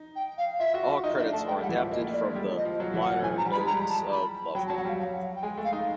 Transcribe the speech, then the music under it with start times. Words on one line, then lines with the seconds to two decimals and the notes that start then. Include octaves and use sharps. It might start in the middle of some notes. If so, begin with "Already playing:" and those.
All credits are adapted from the liner notes of "Love Me".
Already playing: D#4
0.16 G5
0.38 F5
0.59 F4 E5
0.74 F#4
0.89 F4
1.04 D#4 D#5
1.18 D4 E5
1.33 A3 A5
1.48 G#3 G5
1.58 G3
1.62 F#5
1.69 E3
1.77 E5
1.80 F3
1.91 A#3 D#5
2.02 A3
2.13 D5
2.25 G#3
2.35 G3
2.51 F3
2.57 D#5
2.65 F3
2.80 F#3
2.94 E3
3.01 F#5
3.08 F3
3.23 E3 G#5
3.34 F3
3.38 A#5
3.45 G3
3.52 B5
3.56 G#3
3.67 G3 A#5
3.89 A5
4.12 B5
4.55 F#3 G5
4.67 A5
4.70 F#3
4.77 F#5
4.85 G3 F5
4.99 F5
5.13 F#5
5.36 G5
5.42 G#3 G#5
5.58 A3
5.64 F5
5.73 D#4